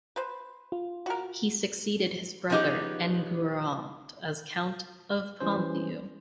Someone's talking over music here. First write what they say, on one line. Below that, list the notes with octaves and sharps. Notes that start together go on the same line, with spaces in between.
He succeeded his brother Enguerrand as Count of Ponthieu.
B4 C5
F4
F#4 A#4
F3 B3 C#4 D#4 G4 G#4
E3 G3 C#4 C5